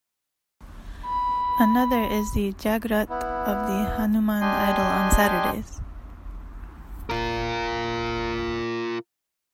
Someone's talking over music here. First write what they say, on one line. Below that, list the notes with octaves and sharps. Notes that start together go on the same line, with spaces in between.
Another is the 'Jagrut' of the Hanuman Idol on Saturdays.
B5
B3 E4
D4 G4 D#5 G5 G#5 C6
F4 A#4